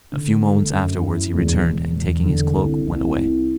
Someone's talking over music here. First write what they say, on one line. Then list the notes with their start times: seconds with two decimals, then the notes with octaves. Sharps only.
A few moments afterwards he returned, and taking his cloak went away.
0.12 D3
0.42 A3
0.73 F#2
1.03 E4
1.34 E1
1.65 E1
1.95 E1
2.25 D3
2.56 C2
2.87 C2
3.17 C2